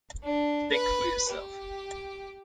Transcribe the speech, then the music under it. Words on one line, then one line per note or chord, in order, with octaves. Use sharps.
Think for yourself.
D4
B4
G4